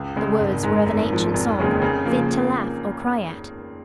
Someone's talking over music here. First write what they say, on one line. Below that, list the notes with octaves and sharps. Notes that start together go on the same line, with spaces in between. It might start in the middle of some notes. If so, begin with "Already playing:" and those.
The words were of an ancient song, fit to laugh or cry at.
Already playing: C#2
C#3 G#3
G#1
G#2 G#3
G#1
G#2 F3
F1
D#2 C#3 G#3 C#4
C#3
F3 A#3